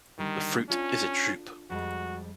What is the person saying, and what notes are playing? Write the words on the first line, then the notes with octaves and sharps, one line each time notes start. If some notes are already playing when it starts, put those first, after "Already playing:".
The fruit is a drupe.
D3 D#3 G3
C#4 D4 F4 A4
F2 G3 G#3 F#4